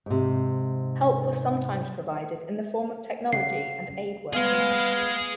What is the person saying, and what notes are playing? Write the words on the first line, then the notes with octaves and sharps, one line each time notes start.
Help was sometimes provided in the form of technology and aid-workers.
G#2 C3
C#3 F#5 C7
B3 G#4 F5 C6